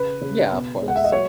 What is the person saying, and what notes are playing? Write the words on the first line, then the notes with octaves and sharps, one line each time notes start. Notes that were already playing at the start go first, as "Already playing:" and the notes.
Yeah, of course.
Already playing: C#3 B4
C#3
B2
G#3
F#5
E5
D#5
F#3 C#5